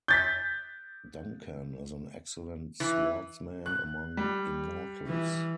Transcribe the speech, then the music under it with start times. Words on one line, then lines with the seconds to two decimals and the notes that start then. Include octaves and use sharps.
Duncan is an excellent swordsman among Immortals.
0.08 G6 A6 B6
2.80 E3
3.66 F#6
4.17 G3
5.06 E3